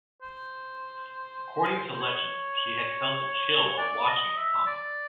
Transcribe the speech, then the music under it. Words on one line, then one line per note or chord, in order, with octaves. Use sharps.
According to legend, she had felt a chill while watching a comet.
C5
C#5
D5
D#5
E5
D5